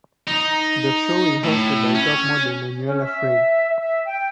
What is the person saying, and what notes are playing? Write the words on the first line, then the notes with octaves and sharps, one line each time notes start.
The show is hosted by Topmodel Manuela Frey.
D#4
A2
C#4
C#4
E5
E5
G5